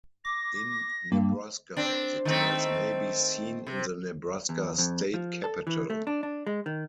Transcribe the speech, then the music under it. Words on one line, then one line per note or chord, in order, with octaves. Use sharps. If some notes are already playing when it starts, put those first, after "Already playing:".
In Nebraska, the tiles may be seen in the Nebraska State Capitol.
D6 A#6
G2 A#3
C4 D4
D#3 A3 C4
C3
E2
F2
F3
A4
E3
A3
D4
D4
G#3
D#3